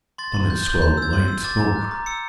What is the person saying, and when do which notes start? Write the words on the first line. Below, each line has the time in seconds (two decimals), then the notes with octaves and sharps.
From it swelled light smoke.
0.18 C6 A6
0.34 C6
0.50 G6
0.65 G6
0.82 C6 G6
0.97 E6 G#6
1.13 C6
1.28 E6
1.44 D6 A6
1.60 A#5
1.76 F#6
1.91 A#5
2.06 E6 C#7